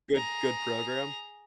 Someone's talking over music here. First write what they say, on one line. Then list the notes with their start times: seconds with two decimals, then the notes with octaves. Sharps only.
Good good program?
0.12 G#4 A#5